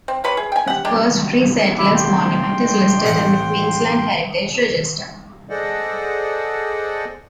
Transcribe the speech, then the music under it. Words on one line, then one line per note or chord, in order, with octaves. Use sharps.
This First Free Settlers Monument is listed in the Queensland Heritage Register.
C4
C3 B4 C#5 B5
G#4
G5 G#5
G4 F#5
G#3 A#3 D4 G4
E4 E5 D6
G5 C6
A1 F#5
G#4 A4 C5 D5 D#5 F#5